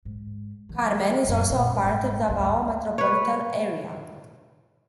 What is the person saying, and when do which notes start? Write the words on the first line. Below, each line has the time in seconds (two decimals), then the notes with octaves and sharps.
Carmen is also a part of Davao Metropolitan Area.
0.05 G#2
0.69 D#3 F#3
1.24 A#1 F#2
1.50 A#2
1.76 F#1 G#2
2.28 D2 G#2
2.98 B4 C#5